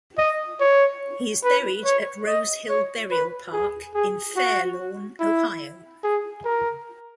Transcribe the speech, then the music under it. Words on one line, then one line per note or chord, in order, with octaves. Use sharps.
He is buried at Rose Hill Burial Park in Fairlawn, Ohio.
D#5
C#5
B4
C#5
D#5
C#5
B4
G#4
G#4
F#4
E4
G#4
A#4